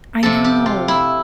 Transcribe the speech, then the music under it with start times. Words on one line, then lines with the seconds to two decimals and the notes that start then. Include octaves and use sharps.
I know.
0.23 C3 F3 A4
0.44 G4
0.66 F4
0.88 E4